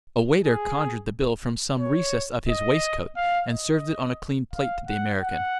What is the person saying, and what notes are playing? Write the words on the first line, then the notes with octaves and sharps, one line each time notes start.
A waiter conjured the bill from some recess of his waistcoat and served it on a clean plate to the American.
G#4
C#5
D#5
F5
D#5
F5
F#5
F#5